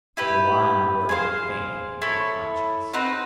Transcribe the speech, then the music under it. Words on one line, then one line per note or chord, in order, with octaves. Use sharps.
With a lying word it feigneth a good conscience.
E4 G4 B4
G#4 C5 F5
E4 A4 C#5
C4 D#4 F#4 B4